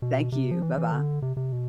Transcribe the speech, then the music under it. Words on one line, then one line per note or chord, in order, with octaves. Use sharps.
Thank you. Bye-bye.
B2
C3
F3
E3
E3
D3
C3
C3
B2